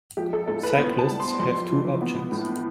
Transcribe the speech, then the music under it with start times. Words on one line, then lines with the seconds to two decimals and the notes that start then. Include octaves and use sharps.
Cyclists have two options.
0.17 F3 G4
0.33 A4
0.48 A2 A4
0.63 B4
0.78 B3 C5
0.99 A5
1.09 G3
1.20 C6
1.39 F2 C6
1.71 E3
2.02 B3
2.32 A2